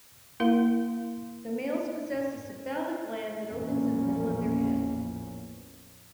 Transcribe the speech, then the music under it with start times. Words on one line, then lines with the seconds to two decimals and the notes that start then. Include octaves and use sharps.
The males possess a cephalic gland that opens in the middle of their head.
0.40 A#3 E4 A#4 F5
3.47 A1 E2 A#2 F3 A#3 C#4